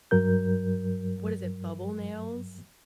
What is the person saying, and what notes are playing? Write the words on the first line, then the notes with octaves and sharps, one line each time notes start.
what is it? Bubble nails?
G2 F#3 A#4 G6